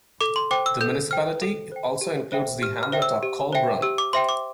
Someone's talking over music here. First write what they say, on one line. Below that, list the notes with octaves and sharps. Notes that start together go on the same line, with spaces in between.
The municipality also includes the hamlet of Kollbrunn.
A4 D6
C6
C5 G5 D6
E6
A4 G6
C5 G5 F6
A4
C5 G5
G4
C5 E5 G5
G4 F6
F6
C5 E5 G5
E6
G4
C5 E5 G5
G4 E6
D6
C5 E5 G5 C6
D6